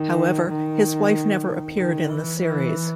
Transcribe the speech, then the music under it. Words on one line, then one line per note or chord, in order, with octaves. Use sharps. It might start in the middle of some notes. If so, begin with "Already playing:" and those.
However, his wife never appeared in the series.
Already playing: D#3
D#3
D#3
E3
E3